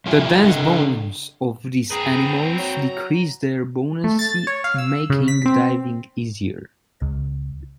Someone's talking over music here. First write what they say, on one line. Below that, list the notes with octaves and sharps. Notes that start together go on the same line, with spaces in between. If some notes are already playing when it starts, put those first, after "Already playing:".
The dense bones of these animals decreased their buoyancy, making diving easier.
F3 G3 E4 F4
C#3 D4 A4 D#5
C4 G#4 B4 A#5
F#3
A3
A6
C#5
F5
E6
C#3
B6
C4
C#2